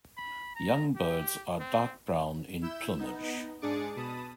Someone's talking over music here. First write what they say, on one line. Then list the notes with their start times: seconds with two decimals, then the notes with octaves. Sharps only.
Young birds are dark brown in plumage.
0.17 B5
0.55 A#5
0.95 G4
1.60 C4
2.62 E4 E6 G6 E7
2.99 B3 D#4
3.61 G#2 D4 G#4 D6 A6 C#7
3.96 B2 A5 B5 D#6